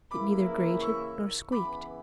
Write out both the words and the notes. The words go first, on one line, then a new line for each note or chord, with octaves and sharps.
It neither grated nor squeaked.
C#3 E3 A#3 E4 A#4 B5 D6
C#6 E6
C#3 E3 B3 B5 D6